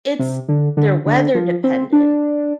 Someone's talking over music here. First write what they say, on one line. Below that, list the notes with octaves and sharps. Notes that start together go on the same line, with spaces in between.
It's they're weather-dependent.
C3
D3
D3
D3
F3
C4
D4